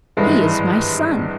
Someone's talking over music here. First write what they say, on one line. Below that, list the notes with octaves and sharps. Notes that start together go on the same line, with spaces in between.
He is my son.
G#1 G2 E3 G#3